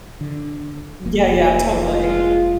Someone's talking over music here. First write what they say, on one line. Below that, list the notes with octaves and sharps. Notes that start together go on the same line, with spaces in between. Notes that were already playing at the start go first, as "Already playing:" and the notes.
Yeah, yeah, totally.
D3
F1 A#3
G#3 F4